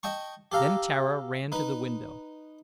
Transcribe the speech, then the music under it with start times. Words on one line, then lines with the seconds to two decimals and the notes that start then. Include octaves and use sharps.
Then Tara ran to the window.
0.03 D#5 G5 A5 C#6
0.52 G4 A4 F5 A#5
1.52 D#4 B4